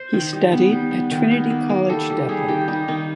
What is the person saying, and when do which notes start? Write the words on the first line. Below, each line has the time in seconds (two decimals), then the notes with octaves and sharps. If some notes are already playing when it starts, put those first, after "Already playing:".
He studied at Trinity College Dublin.
Already playing: C5
0.13 D#3
0.33 G3
0.52 B3
0.72 G3
0.91 B3
1.11 D#3
1.31 B3
1.50 A#3
1.69 A#3
1.89 G3 A4
2.10 G3
2.29 G3 G#4
2.48 D#3 G4
2.68 G3 D#4
2.88 D#3 D#4